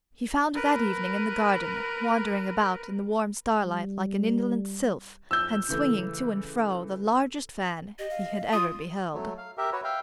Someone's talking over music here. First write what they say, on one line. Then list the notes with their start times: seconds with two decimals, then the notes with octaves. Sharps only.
He found her that evening in the garden, wandering about in the warm starlight like an indolent sylph, and swinging to and fro the largest fan he had ever beheld.
0.55 A#4 B4
3.62 G3
5.31 F2 E6 G6
5.69 C#3 E3 A3
7.99 G4 D#5
8.10 F5
8.52 F4 D#6
9.14 F#3 A3
9.37 F5
9.58 G4 A#4 E5
9.73 F#4 B4 C#5
9.84 E5 F5 G5